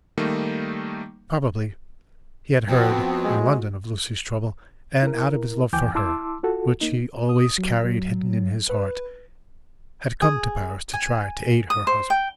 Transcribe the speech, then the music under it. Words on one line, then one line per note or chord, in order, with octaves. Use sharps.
Probably he had heard, in London, of Lucie's trouble, and out of his love for her, which he always carried hidden in his heart, had come to Paris to try to aid her husband.
D#3 G3 A3 A#3 D#4
F2 B3 C4 F#4
G#3
E4 A#4
D2 E3 G5 G#5 D6 G6
E4 A5 C6 D6 E6
F4 F#4 A4
A#3 D#4
D#6
F#3
F#3
B4
G#4
G#5
D#6
C5
G5